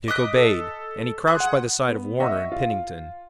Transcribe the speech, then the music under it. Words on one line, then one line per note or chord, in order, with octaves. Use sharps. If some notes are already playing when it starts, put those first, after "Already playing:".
Dick obeyed, and he crouched by the side of Warner and Pennington.
D#5 D6 D#6 F#6 B6
A4
G#4 C6 F#6
F#5
B3
D#5 E5 F#5 C#6
F4